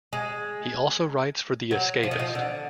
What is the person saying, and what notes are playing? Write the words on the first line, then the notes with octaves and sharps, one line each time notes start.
He also writes for "The Escapist".
G#3
F#3
F3
D#3
F3
D3